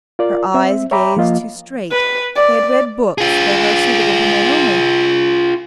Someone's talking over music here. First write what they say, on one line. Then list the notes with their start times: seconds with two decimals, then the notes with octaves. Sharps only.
Her eyes gazed too straight; they had read books that are suitable for men only.
0.19 F4 A#4 D5
0.54 C4 E5
0.91 C#5 E5 G5 A#5 B5 D6
1.17 F3 A#3 F4 D#5 F5
1.92 B4
2.36 D5
3.18 F4 G#4